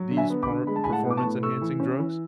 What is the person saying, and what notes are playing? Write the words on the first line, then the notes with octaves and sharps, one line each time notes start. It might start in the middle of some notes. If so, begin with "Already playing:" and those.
these por performance-enhancing drugs?
Already playing: F#3
D3
E5 G#5
B3
B5 D6
D3
G#3 B5
A5
A2 G#5 B5
F#5 A5
B3
D6
A5 C#6
A2
A3 C#6 E6
E3
C#4
E3